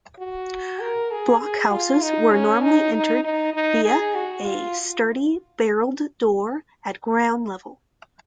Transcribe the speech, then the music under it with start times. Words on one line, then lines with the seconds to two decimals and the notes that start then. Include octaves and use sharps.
Blockhouses were normally entered via a sturdy, barred door at ground level.
0.19 F#4
0.81 A#4
1.11 G#4
1.41 G#4
1.72 F4
2.02 D#4
2.32 C#4
2.62 D#4
2.94 D#4
3.24 D#4
3.54 D#4
3.85 G#4
4.15 F#4
4.45 F4